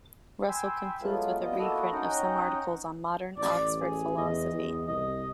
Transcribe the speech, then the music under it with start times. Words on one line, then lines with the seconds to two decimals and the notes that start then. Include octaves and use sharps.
Russell concludes with a reprint of some articles on modern Oxford philosophy.
0.49 G5 G#5 B5 C6 E6
1.02 F#3 G#3 A3 B3 F4
1.41 G3 B3 F4 D#5
1.59 A#3 E4 F#4 A4 D#5
1.93 C#4 D#4 D#5 F#5 G5 A#5
3.38 A1 D5
3.81 G#4
4.18 E2 D#5
4.54 E2
4.88 C2 D#5